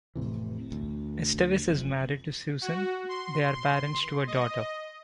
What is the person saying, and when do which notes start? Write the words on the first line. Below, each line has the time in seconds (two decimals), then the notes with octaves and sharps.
Esteves is married to Susan; they are parents to a daughter.
0.15 F1 A2 C3 E3
0.72 D2
1.66 F#1 F2
2.61 F#4
3.09 C6
3.54 C6
4.27 D#5